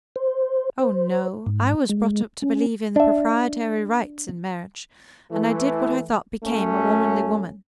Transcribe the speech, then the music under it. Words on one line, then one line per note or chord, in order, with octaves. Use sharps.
Oh, no. I was brought up to believe in the proprietary rights in marriage, and I did what I thought became a womanly woman.
C5
C5
G#2
G#3
C#4
D4 E5
E3 A3
F#2 A3 C#4